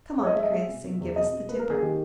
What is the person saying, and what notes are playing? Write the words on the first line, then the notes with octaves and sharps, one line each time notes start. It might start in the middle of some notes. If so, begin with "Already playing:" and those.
Come on, Chris, and give us the dipper.
G#3 C#5
D#5
G#3 E5
D#5
G#3 E5
B2
B2
E2
B2 D#5
B2
A#3 B4
A#4
A#3
G#4
D#3 G4